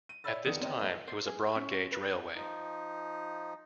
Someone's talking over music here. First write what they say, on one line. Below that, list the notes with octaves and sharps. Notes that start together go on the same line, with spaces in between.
At this time it was a broad gauge railway.
D#7
C#5 D5 E5 B5 E6 A6
F2 D#3 B3 D5 D#6 C#7
B3 C4 C#5 D#5 G5
F1 A3 B4 D#5
C5
G#4
C#4
B4
F3 D#4